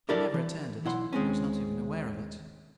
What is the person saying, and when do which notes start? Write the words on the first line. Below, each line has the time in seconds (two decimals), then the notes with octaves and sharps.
He never returned it--he was not even aware of it.
0.09 D4 E4 G4 A4 A#4 D5
0.34 E3
0.85 B1 E4 F#5 C6
1.13 D#2 G#3 C4 C#4